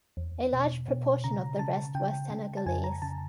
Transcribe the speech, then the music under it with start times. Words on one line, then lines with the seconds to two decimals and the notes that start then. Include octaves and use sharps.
A large proportion of the rest were Senegalese.
0.17 E2
0.53 B2
0.88 B2
1.24 C#3 A#5
1.59 C#3 A5
1.95 C#3 G5
2.30 C#3
2.57 A5
2.66 F2 G#5
2.84 A#5
3.02 C#3 A5